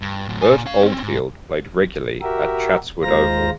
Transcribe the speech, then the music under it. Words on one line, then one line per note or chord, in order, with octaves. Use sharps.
Bert Oldfield played regularly at Chatswood Oval.
G2
A2 F#3
A#2 G#5
C#4 F5
C4 C#4
G#2
F#4 G4 A#4 E5
D#2 G#3 F4 C5 A#5 A#6